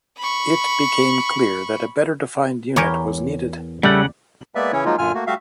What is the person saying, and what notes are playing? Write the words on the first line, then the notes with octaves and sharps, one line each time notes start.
It became clear that a better-defined unit was needed.
B5 C#6
E2 G4 A#4 C#5 G#5
C#3 G3 A3 F#5
G#3 A#3 B3 B4 D5 E5
C#3 E3 C#4 E4 C#5
F3 F#3 G#3 A#3 D#4 F4
F#2 A#2 D3 F4 G#5 F6
A3 A#3 F#4
G3 A3 F#4 E5 F5